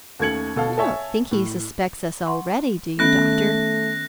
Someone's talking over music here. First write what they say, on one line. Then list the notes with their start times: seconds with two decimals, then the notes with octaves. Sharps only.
"You don't think he suspects us already, do you, doctor?"
0.20 D#2 A3 C#4 G#6 C#7 F#7
0.56 B2 A4 F5
0.77 C#5 E5 G#5 A5
1.31 A2
2.26 F#5 C6 C#6
2.99 D#3 A3 B3 C#4 F#6 A#6